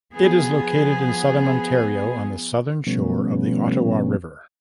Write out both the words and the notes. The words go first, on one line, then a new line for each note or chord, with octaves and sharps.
It is located in Southern Ontario on the southern shore of the Ottawa River.
F3 B3 G#4
B2 F3 G3 A3 B3 C#4